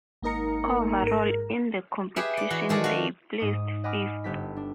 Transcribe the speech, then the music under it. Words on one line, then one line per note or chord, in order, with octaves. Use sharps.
Overall in the competition they placed fifth.
G#1 A#3 D#4 A#4 A#5 C#7
G#2 A#4
G4 G#4 B4 E5
D5
E3 F#4
D#3 G#3 A4 D5
F#4 F5
G#2 D#6
D#5 F#5 G#5 B5 D6 F6
G1 B3 G4 A4 B6
D4